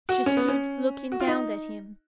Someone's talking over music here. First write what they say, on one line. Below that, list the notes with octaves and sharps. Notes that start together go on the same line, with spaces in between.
She stood looking down at him.
F#4
C#4
B3
C#4
F#4
F4
D#4